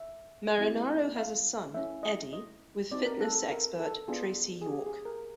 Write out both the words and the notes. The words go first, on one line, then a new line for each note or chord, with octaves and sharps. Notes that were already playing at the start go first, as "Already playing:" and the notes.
Marinaro has a son, Eddie, with fitness expert Tracy York.
Already playing: E5
G#3 C4 E4 G4
F5
A3 C#4 E4 E5
D#5
D#5
C4 D#4 F#4 D5
A#4
A4
A4
A#4
A4
B3 D4 F4 G#4
G#4
G4
G#4
A#4